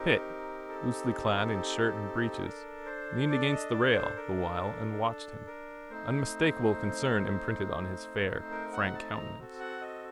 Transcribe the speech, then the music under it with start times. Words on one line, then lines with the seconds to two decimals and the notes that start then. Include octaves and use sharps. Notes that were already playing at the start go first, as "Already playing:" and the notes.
Pitt, loosely clad in shirt and breeches, leaned against the rail the while and watched him, unmistakable concern imprinted on his fair, frank countenance.
Already playing: C4 D#4 G4 A#4
0.69 A4
2.42 D4 A4 A#4
2.86 C5
3.30 D5
3.51 D#5
3.72 D5
3.94 C5
4.17 A#4
5.03 A4
5.47 A#4
5.90 A3 C4 D#4 C5
8.51 A#4
8.73 F#5
8.94 A5
9.16 A#5
9.38 C4 F#4 A4
9.60 F#5
9.81 D#5